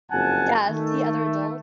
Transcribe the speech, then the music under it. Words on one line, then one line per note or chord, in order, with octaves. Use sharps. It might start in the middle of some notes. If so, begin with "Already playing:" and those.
yeah, see other adults.
F#1 F2 C4 F#5 G#5 A5
D#3 A3